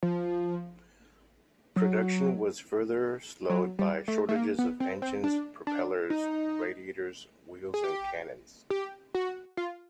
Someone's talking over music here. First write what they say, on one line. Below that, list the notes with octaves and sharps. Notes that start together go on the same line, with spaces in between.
Production was further slowed by shortages of engines, propellers, radiators, wheels and cannons.
F3
F#3
F#3
G3
A3
A3
A#3
B3
C4
C4
D4
D4
D#4
G#4
G4
G4
F#4
F4